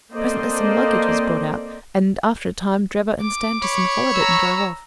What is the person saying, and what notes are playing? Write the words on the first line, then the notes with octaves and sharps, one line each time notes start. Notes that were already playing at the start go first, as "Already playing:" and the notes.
Presently some luggage was brought out, and after a time Drebber and Stangerson followed it, and drove off.
A#3 C4 A4 C5 D5 D#5
D6
C#5 B5 C#6
A#5 E6